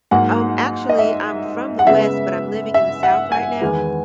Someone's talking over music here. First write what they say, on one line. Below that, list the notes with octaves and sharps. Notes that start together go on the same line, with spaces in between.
Um, actually, I'm from the West, but I'm living in the South right now,
G#2 F#3 A#3 F#5
D#5
E5
F#5
C#3 G#3 B3 E5
E5
F#5
G#5
E2 D#3 G#3 B3